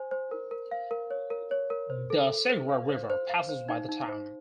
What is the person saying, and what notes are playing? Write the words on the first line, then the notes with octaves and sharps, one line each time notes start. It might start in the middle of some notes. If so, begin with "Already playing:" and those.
The Segura River passes by the town.
Already playing: C5 G#5
C5
A#4
A#4
F5
A#4
C#5
A#4
C#5
A#4
C5
A4
A4
C5
F5
C5
C5
F5
C5
D#4
D#4
C5